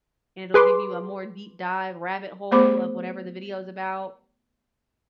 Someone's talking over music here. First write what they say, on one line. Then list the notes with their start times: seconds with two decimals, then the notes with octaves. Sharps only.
and it'll give you a more deep dive rabbit hole of whatever the video is about,
0.54 G#4 B4 C6 D6
2.51 A3 B3 G#4 C5 B5 D6